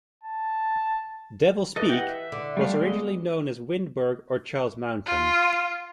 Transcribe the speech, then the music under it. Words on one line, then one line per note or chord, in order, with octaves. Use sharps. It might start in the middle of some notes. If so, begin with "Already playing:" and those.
Devil's Peak was originally known as Windberg or Charles Mountain.
A5
E3 A4 D#5
G4 D#5 F#5
E5
D3
G3 A3 F5
G#3 B3 D#5
F4